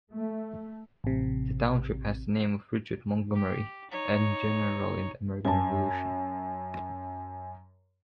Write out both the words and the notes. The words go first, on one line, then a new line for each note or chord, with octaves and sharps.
The township has the name of Richard Montgomery, an general in the American Revolution.
A3
A1 C3
G4
D#4 C#5
F#2 G#5 A5